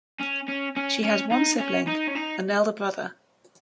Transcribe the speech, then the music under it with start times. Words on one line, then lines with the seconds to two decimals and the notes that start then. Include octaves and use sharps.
She has one sibling, an elder brother.
0.21 C#4
0.48 C#4
0.76 C#4
1.04 C#4
1.32 D#4
1.60 C#4
1.88 D#4
2.08 C#4
2.15 D#4